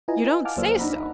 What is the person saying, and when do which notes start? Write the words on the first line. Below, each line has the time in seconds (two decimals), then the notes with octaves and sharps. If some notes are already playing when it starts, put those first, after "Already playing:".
"You don't say so?"
0.08 E4 F4 B4 D#5 G#5 A#5
0.45 F5 F#5 G#5 A5 D6 F6
0.56 C#2 F#3 A#3 C5 D5 E6
0.79 D4 D#4 F#5 A#5 B5